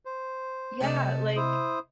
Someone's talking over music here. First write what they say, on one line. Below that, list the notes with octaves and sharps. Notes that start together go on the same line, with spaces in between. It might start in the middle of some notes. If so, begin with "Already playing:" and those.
Yeah, like,
C5
C3 A3 D#4 A5
E4 C5 D#6